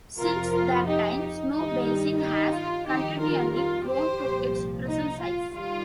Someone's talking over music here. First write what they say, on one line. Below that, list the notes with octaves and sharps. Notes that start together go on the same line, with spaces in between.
Since that time, Snowbasin has continually grown to its present size.
F2 C3 F3 F4 A#4
F4
D#4 G4
D#4
G2 D#3 G3 D#4
D#4 G4
F4
F2 D#3 G3 D#4 G4
F4 A#4
F4
G4 C5
C2 A#2 F3
D#4
F4
D#3 G3 F4